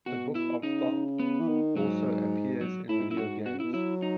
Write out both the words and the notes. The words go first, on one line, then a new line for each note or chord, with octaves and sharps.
The "Book of Thoth" also appears in video games.
B2 F#4
E4
C#3 D#4
B3
E3
D#3
G#2 F#3
F#3
A2 E4
G#2
F#2 E4
G#2 F#4
B2 F#4
C#3
B2 E4
F#3 E4
D#4